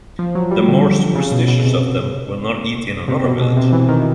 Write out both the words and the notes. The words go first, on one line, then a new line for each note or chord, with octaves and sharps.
The more superstitious of them will not eat in another village.
F3
F#3
G3
D3
C#3
B2
B2
C3
C3
B2
B2
C3
E3
D#3